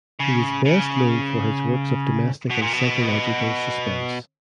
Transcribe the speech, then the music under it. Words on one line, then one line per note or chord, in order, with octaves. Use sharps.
He is best known for his works of domestic and psychological suspense.
C#3
C#3
B2
A#2
B2